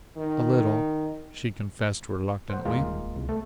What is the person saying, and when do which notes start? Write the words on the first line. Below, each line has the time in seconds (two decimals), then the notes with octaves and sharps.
"A little," she confessed reluctantly.
0.17 D#3
2.50 C5 F#5
2.65 E2 G#3 A#3 F4
2.81 D#1
3.16 C2
3.29 A3